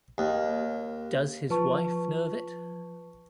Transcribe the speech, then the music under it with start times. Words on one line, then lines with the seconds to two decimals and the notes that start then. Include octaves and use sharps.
Does his wife know of it?
0.18 D#2
1.50 F3 B4 A5 C#6